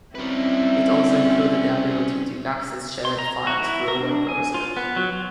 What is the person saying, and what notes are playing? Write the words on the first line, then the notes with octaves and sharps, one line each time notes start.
It also included the ability to access shared files through a web browser.
G3 C4 C#4 E4 B4
C6
A#5
F#4
E4
A#4
D4
G#5
F4
B3
F#3
F4